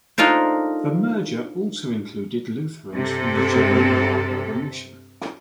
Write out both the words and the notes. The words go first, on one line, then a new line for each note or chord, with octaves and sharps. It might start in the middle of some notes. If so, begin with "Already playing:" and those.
The merger also included Lutherans from the German Marburger Mission.
D4 D#4 F4 A4 A#4 C5
G2 C3 A4